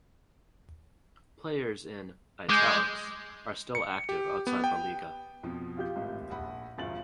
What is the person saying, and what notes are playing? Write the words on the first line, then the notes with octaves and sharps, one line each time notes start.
Players in "italics" are still active outside La Liga.
G#3 D6 G6
C#7
G4
B3
G5
F2 B2 F3
F4 G4 G6
G#1 A2
A#1 F#5 B5
G1 E2 B2 F4 A6 F#7